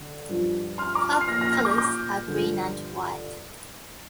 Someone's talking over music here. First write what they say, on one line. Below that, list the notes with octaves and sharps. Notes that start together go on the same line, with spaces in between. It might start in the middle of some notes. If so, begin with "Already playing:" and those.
Club colours are green and white.
Already playing: D3
G2 F3
C6 F6
A#5 D6
C6 F6
C7
A#2 F3 F6 A#6
F6 A#6
F6 A#6
D6 G6
D6 G6
G2 D3 F3